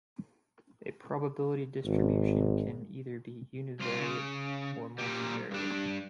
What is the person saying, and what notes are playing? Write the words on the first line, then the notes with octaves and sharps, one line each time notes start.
A probability distribution can either be univariate or multivariate.
G#1
C2 F4
C#3
A#2 G3
G2 D4